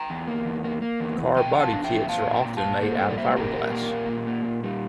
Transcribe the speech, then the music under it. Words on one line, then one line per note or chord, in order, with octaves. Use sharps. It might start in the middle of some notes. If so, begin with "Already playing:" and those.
Car body kits are often made out of fiberglass.
Already playing: G5 A#5
E2
A#3
E2
A#3
A#3
E2
E2
E2 G5 A#5
E2 F5 G5 A5
D4
E5 G5
E2
A#2 F5 A5
A#2
G5 A#5
A#2
F5 A5
A#2
A#3 A4 C5
G3 A4 C5
D5
A#3 C5 E5
C5
A#2 G4 A#4
A#2
A#3
A#2
A#2
A#3
A#2
G3